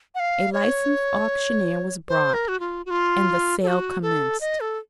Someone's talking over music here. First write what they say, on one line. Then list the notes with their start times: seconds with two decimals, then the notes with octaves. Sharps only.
A licensed auctioneer was brought, and the sale commenced.
0.15 F#5
0.20 F5
0.53 C#5
2.09 C5
2.34 A#4
2.48 F#4
2.60 F4
2.86 F#4
2.90 F4
3.63 A4
3.68 F#4
4.02 A4
4.41 D#5
4.60 A4